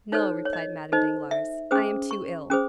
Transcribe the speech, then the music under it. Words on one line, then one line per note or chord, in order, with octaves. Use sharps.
"No," replied Madame Danglars, "I am too ill."
D#4 A4 C5 C#5
C#5
D#5
D#4 A4 C5 D#5
E5
C#4 G#4 C5 D#6
C#6
C#4 G#4 C5 D#6